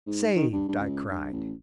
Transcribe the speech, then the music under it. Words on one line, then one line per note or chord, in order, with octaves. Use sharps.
"Saved!" I cried.
G#2
D#3
G2
G2
C#2
G2
A1